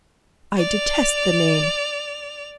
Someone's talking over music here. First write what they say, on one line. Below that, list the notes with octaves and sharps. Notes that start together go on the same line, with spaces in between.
I detest the name!
D5 F7